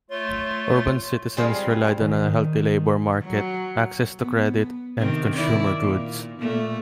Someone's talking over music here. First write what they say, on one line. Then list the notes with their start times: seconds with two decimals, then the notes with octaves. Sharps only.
Urban citizens relied on a healthy labor market, access to credit, and consumer goods.
0.10 A3 F4 C#5 C6
1.37 G3 G#3 C4 F4 G#4
2.01 D#3
3.24 F#3
4.21 B3
4.99 C3 D#3 C4
5.35 D#3 E4 D5
5.81 A#2
6.39 A#2 A3